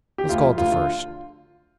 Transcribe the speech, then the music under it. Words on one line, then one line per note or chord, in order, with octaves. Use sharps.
Let's call it the first.
G4
D2 F4
F3
D2 F4
D3 F4